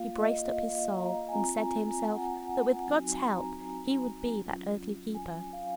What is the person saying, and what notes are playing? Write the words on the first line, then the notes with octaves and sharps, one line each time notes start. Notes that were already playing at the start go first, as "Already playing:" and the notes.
He braced up his soul, and said to himself, that with God's help he would be that earthly keeper.
Already playing: A#3 F4 F5
D#5
F5
A#5
G#5
C4 F4 A#5
G#5
G#5
F#5
F#5
F#3 C4 D#4 F#4 G#5
A#5
F#3 C#4 F4
G#5
F5